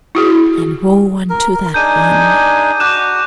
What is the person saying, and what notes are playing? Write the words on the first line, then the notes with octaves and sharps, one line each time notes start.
"Then woe unto that one!"
E4 F#4 G#4
A#4
A#4
D4 D#4 G#4 G6 D#7
D#7
F#4 D6 F#6 E7